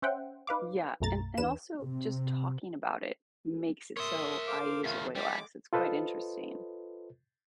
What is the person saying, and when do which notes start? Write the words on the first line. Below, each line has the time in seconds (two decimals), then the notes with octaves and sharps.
Yeah, and and also, just, talking about it makes it so I use it way less. It's quite interesting.
0.02 C#4 C5 E5 F#5 G5
0.47 D#4 B4 F5 D6
1.00 B1 F#2 B2 A3 A#5 A6
1.38 E2 D4 B4 E7
1.82 C3
3.97 A#4 C#5 E5 C6 D#6
4.47 A4 C5 F5 D6
4.84 E2 C#3 A3 F4
5.15 G3 G#3 D6
5.73 F4 A4 B4 C5 D#5